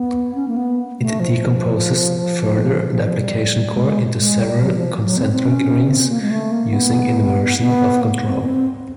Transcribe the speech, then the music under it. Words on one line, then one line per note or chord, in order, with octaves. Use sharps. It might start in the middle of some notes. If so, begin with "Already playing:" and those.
It decomposes further the application core into several concentric rings using inversion of control.
Already playing: B3
C#4
A#3
B3
A3
F3
F3
F3
G3
G#3
G#3
G3
F#3
F3
F#3
C4
C4
C#4
C4
A#3
G#3
A3
A#3
B3
B3
A#3
B3
C4
C4